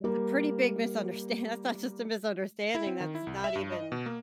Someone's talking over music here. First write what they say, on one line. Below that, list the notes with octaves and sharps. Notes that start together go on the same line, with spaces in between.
a pretty big misunderstand that's not just a misunderstanding, that's not even
G3 A#3
E4
C4
D#3
E4
C2
E5
G2
D#5
B2
A#3